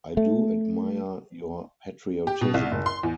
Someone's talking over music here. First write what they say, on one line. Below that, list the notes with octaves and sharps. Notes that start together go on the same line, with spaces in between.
I do admire your patriotism.
A3
G4
B2
C2
F#1
C6
E2